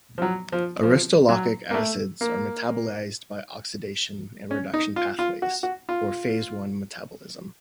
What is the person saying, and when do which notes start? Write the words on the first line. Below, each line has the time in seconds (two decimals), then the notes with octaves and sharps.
Aristolochic acids are metabolized by oxidation and reduction pathways, or phase one metabolism.
0.18 F3
0.22 F#3
0.52 F3
0.83 F3
1.29 F#3
1.71 A#3
1.74 A3
2.21 A#3
4.51 C#4
4.74 D#4
4.96 F4
5.19 F4
5.42 F#4
5.63 F#4
5.89 F4